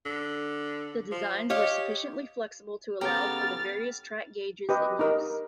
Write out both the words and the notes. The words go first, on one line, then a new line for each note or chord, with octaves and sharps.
The designs were sufficiently flexible to allow for the various track gauges in use.
D3
F3
G4 C#5 D#5 F5
C#3 B3 G4 A4 A#5 F6 A6
G4 B4 D#5
D#4 A#4 D#5